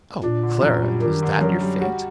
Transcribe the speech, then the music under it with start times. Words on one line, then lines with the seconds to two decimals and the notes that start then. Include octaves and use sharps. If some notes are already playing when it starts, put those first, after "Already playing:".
"Oh, Clara, is that your fate!"
0.23 A#2 D4
0.43 D3
0.63 F#2 A#2
0.83 G3
1.02 D#3 D4
1.23 D3
1.41 F#2 F#3
1.61 G3
1.81 F#4